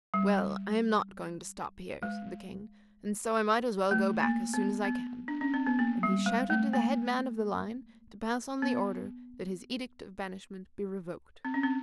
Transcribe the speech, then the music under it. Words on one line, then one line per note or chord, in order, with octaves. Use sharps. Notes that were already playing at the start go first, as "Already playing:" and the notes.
"Well, I am not going to stop here," said the King, "and so I might as well go back as soon as I can." And he shouted to the head man of the line to pass on the order that his edict of banishment be revoked.
G3
G#3
A3
A#3
B3
B3
D4
C#4
C4
B3
A#3
G3
G#3
A3
A#3
B3
C4
C#4
C4